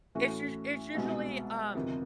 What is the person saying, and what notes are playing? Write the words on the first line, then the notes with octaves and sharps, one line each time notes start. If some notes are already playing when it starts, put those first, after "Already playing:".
it's usu it's usually, um,
A2 E3 A3 C#4 F#4
C2 B2 G#3
G1 F2 C3 D#3